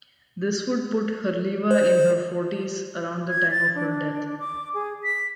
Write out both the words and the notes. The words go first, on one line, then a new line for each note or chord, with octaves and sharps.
This would put Herleva in her forties around the time of her death.
C5
G#6
A6
D4
D6
G#4
B6